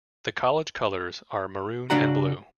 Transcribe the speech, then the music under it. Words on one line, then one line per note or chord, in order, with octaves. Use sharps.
The College colours are maroon and blue.
C#3 D4 F#4 F#5 A#5